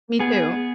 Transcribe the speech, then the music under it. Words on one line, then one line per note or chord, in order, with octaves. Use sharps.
Me too.
B3 G#4